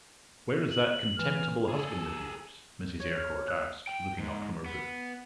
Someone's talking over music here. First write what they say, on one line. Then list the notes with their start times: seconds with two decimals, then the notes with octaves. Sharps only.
"Where is that contemptible husband of yours?" Mrs. Eyrecourt asked, looking up from her book.
0.71 F#7
1.17 E3 F6
1.68 G#4 A4
3.00 C#5
3.15 F6
3.48 F#6
3.87 G5
4.19 G#2
4.66 B3